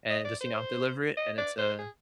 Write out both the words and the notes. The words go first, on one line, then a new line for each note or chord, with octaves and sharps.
and just, you know, deliver it and it's, uh
D#5
D5
C5
D#5
D5
C5
G#4